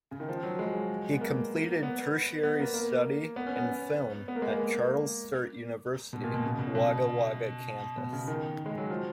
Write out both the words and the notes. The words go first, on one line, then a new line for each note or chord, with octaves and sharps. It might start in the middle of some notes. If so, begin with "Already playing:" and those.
He completed tertiary study in film at Charles Sturt University, Wagga Wagga Campus.
C#3
D#3
F3
F#3
G#3
B3
A#3
B3
B3
A#3
A#3
B3
C#4
B3
B3
A#3
G#3
A#3
B2
A#2
B2
C#3
B2
B2
B2
C#3
D#3
G#3
F#3
F3